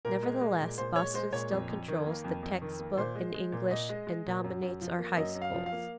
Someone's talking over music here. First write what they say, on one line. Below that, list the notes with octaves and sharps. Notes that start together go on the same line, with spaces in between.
Nevertheless Boston still controls the text-book in English and dominates our high schools.
A#2 A#4
G#3
G#3
A#2
A#2 C5
G#3 C#5
G#3 C5
A#2 C#5
F2
F2
D#3
A#3
F2
F2
D#3
A#3
A#2 C5
G#3
G#3
A#2
A#2 D#5
G#3
G#3
A#2
F#2
F#2
F3
A#3
F#2 D#5
F#2
F5
F3
F5
A#3